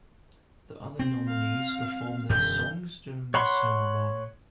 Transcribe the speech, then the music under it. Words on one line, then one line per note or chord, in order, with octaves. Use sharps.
The other nominees performed their songs during the ceremony.
C4
F5
E1 F#2 D3 G6
C#5 F#5 B5 C6